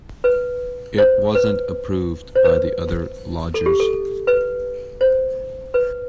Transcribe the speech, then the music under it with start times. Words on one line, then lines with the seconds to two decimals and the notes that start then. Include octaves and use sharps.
It wasn't approved by the other lodgers.
0.24 B4
0.98 C5
1.35 B4
2.35 C5
2.44 B4
3.54 A4
3.66 G4
3.80 A4
4.27 B4
5.01 C5
5.74 B4